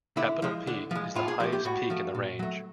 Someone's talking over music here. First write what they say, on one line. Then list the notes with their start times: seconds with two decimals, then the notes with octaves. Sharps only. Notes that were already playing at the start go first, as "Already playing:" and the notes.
Capitol Peak is the highest peak in the range.
0.17 D3 E4
0.42 F3 G#3
0.67 D3
0.91 F3 G#3
1.15 A2 F4
1.28 G#4
1.40 F3 A3 G4
1.53 G4
1.65 A2 F#4
1.90 F3 A3
2.15 A#2
2.39 F#3 A3